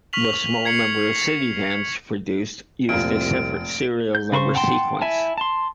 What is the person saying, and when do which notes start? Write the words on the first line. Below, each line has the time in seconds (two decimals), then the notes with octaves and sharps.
The small number of CitiVans produced used a separate serial number sequence.
0.13 C#6 F6 B6 F7 F#7
0.65 G#6 C7 C#7 F#7
2.89 F1 C2 A#2 F3 D7
4.15 G6
4.32 C#3 B4 C5 C#6
4.55 F#5 G5 A5 C6
5.01 E4 E5 G#5 A5
5.38 A5 C6